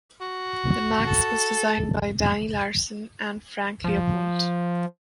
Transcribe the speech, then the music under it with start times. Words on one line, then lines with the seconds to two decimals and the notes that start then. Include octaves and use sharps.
The Maxx was designed by Danny Larson and Frank Leopold.
0.21 F#4
1.05 A4
3.84 F3